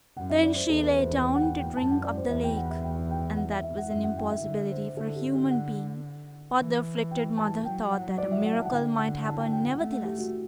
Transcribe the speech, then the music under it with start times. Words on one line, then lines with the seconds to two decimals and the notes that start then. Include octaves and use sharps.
Then she lay down to drink up the lake, and that was an impossibility for a human being, but the afflicted mother thought that a miracle might happen nevertheless.
0.17 F#2 F#5
0.30 E5
0.43 D5
0.56 C5
0.69 E2 A4
0.83 B4
0.97 C5
1.11 B4
1.35 F#5
1.41 G5
1.59 G5
1.77 F#2 A5
1.91 F#5
2.03 D5
2.17 C5
2.30 E2 E5
2.44 G5
2.57 F#5
2.70 E5
2.84 G5
3.11 G5
3.37 F#5
3.51 E5
3.64 E5
3.78 F#5
3.90 F#2 E5
4.04 F#5
4.17 G5
4.31 E5
4.44 D3 E5
4.71 C5
4.97 D3 A4
5.16 G4
5.34 G4
5.50 F#5
6.58 E3
7.11 G5
7.37 A5
7.65 F#3 G5
7.91 F#5
8.18 D5
8.32 E5
8.45 F#5
8.59 A5
8.65 F#5
8.72 D3 G5
8.98 F#5
9.25 A5
9.38 G5
9.52 G5
9.65 F#5
9.78 A3 F#5
9.92 F#5
10.05 G4
10.19 F#4